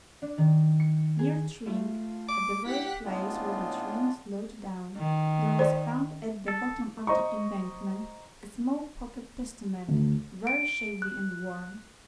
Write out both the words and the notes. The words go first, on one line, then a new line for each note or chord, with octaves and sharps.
Near Tring, at the very place where the train slowed down, there was found at the bottom of the embankment a small pocket Testament, very shabby and worn.
D4
D#3
C#7
G#4
A3 F4
D6
E4 G4 F#5 B6
A2 C#3 G#3 B3 D4 F4
D#3
C5 D5
A4
C5 D#5 A#5 C#6
D2
D7
F#6